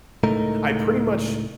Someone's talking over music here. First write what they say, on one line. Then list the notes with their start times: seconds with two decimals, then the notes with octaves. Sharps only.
I pretty much
0.24 C#2 A2 A3 D#4 A#4